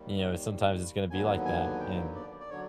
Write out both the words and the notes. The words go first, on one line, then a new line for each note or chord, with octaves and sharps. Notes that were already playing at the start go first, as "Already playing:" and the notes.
you know, sometimes it's gonna be like that and
Already playing: D#2 D#3 G3
D#2 D3 F#3 B3 G#5
G#5
G5
D5
D5
D3 F#3 C#5